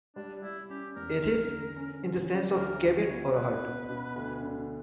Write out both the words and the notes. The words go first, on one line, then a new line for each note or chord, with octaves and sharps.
"Athis" in the sense of "cabin or hut".
G3 D4
G3 E4
C#4 G4
E2 A#4
D3
D3
C#4
B1
C#4
D2 A#4
G3
C#5
B3
B2 B4
B2
B2
D2
D3